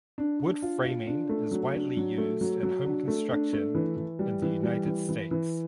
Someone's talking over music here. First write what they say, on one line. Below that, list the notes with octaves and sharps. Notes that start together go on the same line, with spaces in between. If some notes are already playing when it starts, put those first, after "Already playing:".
Wood framing is widely used in home construction in the United States.
D4
D4
F4
F4
D4
A3
F#3
D4
F#3
A3
F#3
F#3
D4
A3
D4
A3
E3
E3
G3
E3
G3
E3
E3
E3